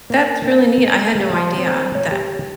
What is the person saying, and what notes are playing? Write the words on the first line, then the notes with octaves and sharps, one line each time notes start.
That's really neat, I had no idea that
A#3
A#3
G#5
G4
F3
C4
C#5
G4